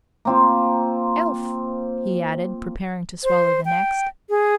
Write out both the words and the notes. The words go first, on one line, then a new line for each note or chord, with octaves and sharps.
"Health!" he added, preparing to swallow the next.
A#3 C4 F4
C5
G5
G#4